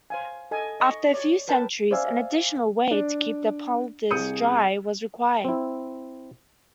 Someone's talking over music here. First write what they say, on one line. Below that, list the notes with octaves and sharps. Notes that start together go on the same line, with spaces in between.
After a few centuries, an additional way to keep the polders dry was required.
C5 F5 G#5
A4 D#5 G#5
D#5 C#6
C#5 D5
A#4 B4 G5 A5
C5 D5 E5 F5 G#5 E6
D4
C2 G#4 D#6 G6 C#7 D#7
C4 E4